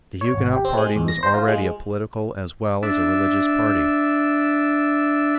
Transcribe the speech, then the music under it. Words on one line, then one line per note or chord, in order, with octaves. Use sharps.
The Huguenot party was already a political as well as a religious party.
C#5
G#1
G4
C4
G#3
E2
A#6
C5
F4
G#3
D4 E5